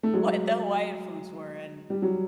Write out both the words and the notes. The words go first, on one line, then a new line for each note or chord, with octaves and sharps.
what the Hawaiian foods were, and,
A3
F#3 G#3
G3
F#3